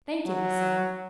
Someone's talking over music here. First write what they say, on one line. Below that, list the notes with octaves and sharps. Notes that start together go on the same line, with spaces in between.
"Thank you," he said.
F#3